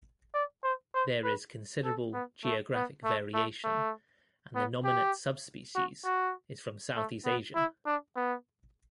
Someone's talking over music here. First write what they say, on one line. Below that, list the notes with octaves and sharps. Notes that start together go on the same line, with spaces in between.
There is considerable geographic variation and the nominate subspecies is from Southeast Asia.
D5
C5
C5
B4
A4
B3
A3
B3
A3
A3
A3
B3
G4
F#4
F#4
A3
B3
E4
D4
B3